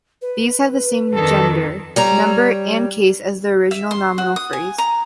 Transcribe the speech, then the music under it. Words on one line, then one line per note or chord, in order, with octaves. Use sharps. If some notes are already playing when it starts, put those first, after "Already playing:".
These have the same gender, number and case as the original nominal phrase.
B4
F2 D#3 D4 A4
G3 C#5 A#5
E5
C6
F#4
D#6
G#5
A#5